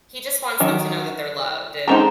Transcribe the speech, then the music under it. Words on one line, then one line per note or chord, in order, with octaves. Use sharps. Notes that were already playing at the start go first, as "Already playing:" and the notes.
he just wants them to know that they're loved and
D#3 F#3
D#3 G#3 C4 D#4 A#5